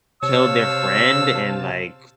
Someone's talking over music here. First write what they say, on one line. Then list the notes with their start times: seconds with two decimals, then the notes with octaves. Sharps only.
killed their friend and, like,
0.23 C3 C5 C#5 F5 A5 E6